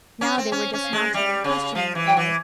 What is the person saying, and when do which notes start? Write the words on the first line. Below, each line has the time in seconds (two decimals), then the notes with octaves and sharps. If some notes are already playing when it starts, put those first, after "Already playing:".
Now they were dismounting and questioning the boy.
0.21 C#4
0.38 C4
0.52 C#4
0.73 C#4
0.83 F5
0.93 G#3
1.14 G3 E5
1.44 C#3 C#5
1.75 F3 F5
1.95 E3
2.06 G5
2.17 E3